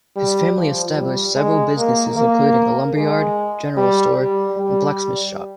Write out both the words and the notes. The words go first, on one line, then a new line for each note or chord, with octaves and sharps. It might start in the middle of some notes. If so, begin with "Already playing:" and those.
His family established several businesses including a lumberyard, general store and blacksmith's shop.
G3
F3
G3
G#3
A#3
A#3
G#3
G3
G3
G3